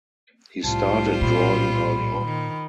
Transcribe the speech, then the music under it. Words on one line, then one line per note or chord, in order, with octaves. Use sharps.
He started drawing early on.
C2 A2 G3 F4 C5 A5
A#2 B5
D#3